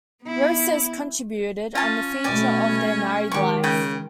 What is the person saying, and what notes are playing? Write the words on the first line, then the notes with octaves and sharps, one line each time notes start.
Roces contributed on the feature of their married life.
B3 E4
C#4 F4 A5
B2 A3 D5 G#5
D#3 G#3 G4 C#6
C#3 G5